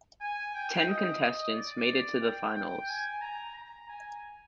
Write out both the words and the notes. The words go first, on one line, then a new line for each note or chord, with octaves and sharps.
Ten contestants made it to the finals.
G#5
G5
D#5
D#5
D5
G5
G5
G#5
A#5
A#5
G#5